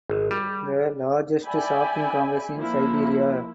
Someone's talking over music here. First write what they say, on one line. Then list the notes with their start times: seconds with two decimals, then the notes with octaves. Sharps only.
The largest shopping complex in Siberia.
0.09 G#1
0.31 G3
1.44 D5 E5 G5 G#5 B5
2.56 F3 A#3 E4